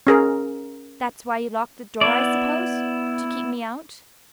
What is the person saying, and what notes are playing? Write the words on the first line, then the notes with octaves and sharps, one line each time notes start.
"That's why you locked the door, I suppose--to keep me out."
C#4 G#4 A#4
B3 E4 D5